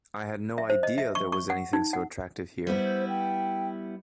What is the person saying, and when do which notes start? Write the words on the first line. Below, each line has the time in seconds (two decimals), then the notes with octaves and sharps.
I had no idea there was anything so attractive here.
0.58 E5
0.70 C5
0.83 D#5
0.98 E5
1.15 C#6
1.32 C#6
1.50 F#5
1.73 D#4
1.93 F#5
2.67 G3 B3 E4 C5
3.09 G5